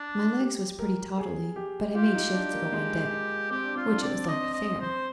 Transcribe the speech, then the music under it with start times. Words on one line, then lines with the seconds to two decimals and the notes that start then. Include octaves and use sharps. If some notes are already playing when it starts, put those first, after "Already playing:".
'My legs was pretty tottly, but I made shift to go on deck, which it was like a fair.
Already playing: D4
0.40 G4
0.79 A#4
1.18 G#4
1.56 G4
1.95 F4 G4
2.15 D#4
2.33 D4
2.53 A#3
2.72 G#3
3.50 C4 G4
3.64 D4
3.76 C4 F4
3.89 D4
4.02 C4 D5
4.15 D4
4.28 C4 D#5
4.54 D#5
4.80 C5